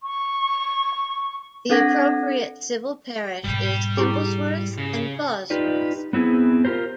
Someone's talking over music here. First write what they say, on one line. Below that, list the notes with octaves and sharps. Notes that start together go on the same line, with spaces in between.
The appropriate civil parish is Kimblesworth and Plawsworth.
C#6
C4 D4 A4 F#5 G#6 A#6
G#2 B2 G3 G5
E4 G4 G#4
C#3
D#4 F4 G4 B4 D5
B3 C4 E4 G#4
F4 G4 A#4 C5